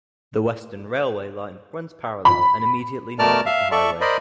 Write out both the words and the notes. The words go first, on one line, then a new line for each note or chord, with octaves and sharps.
The Western railway line runs parallel and immediately north of the highway.
B5
B2 A3 A#4 D5 A5 F6
E5 F5
A4 D5 E5 C#6
A#4 C5 D5 D#5 B5